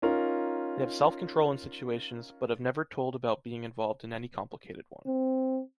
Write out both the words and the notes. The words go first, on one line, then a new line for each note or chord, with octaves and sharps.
They have self-control in situations, but have never told about being involved in any complicated one.
C#4 D#4 F4 A#4
C4